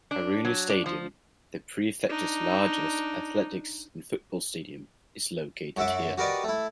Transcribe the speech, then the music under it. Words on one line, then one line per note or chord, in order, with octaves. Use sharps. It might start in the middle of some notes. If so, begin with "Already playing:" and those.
Haruno Stadium, the prefecture's largest athletics and football stadium, is located here.
D4
F#3
D4
F3
D4 D#4
F#2 F#4 E5 D6
F#4 G4 A#4 B4 D5 D#5
A3 E4